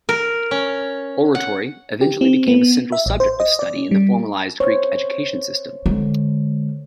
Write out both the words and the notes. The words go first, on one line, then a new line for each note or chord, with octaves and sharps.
Oratory eventually became a central subject of study in the formalized Greek education system.
A#4
C#4
F#5
G4
C4
B3
E5
A1
C5
D#5
D5
C#4
G3
C5 C#5
D3 G#3